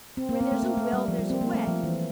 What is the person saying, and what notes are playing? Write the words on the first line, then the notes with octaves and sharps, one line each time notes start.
Where there's a will, there's a way.
C4
A#3
C4
A3
A#3
A3
G3
F3
G3
C4
A#3
A3
F3
E3